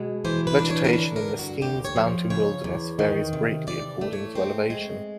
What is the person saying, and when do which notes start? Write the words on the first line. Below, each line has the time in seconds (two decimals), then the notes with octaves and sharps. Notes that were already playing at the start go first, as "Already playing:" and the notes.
Vegetation in the Steens Mountain Wilderness varies greatly according to elevation.
Already playing: B2 G#3
0.25 E3 C5
0.47 B4
0.59 D4
0.70 C#5
0.84 A#4
0.93 D3 B4
1.16 A#4
1.28 G2
1.39 F#4
1.61 D2 G4
1.85 C#5
1.96 F3
2.30 C#3 C#5
2.64 E2
2.99 D#3
3.33 C3
3.67 E3 D5
4.01 A3
4.13 C#5
4.35 C4
4.70 G#3